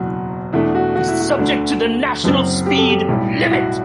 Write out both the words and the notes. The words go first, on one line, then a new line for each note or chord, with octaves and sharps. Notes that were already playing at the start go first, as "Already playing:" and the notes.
It is subject to the national speed limit.
Already playing: F#1 E2 B2 F#3 F#4
E2 B2 A3 D4 E4
F#4
F#4
E4
F#4
D2 D3 A3 D4
F#1 F#2 F#3 C4
G4
A4
G4
B1 A2 G3
E4
F#4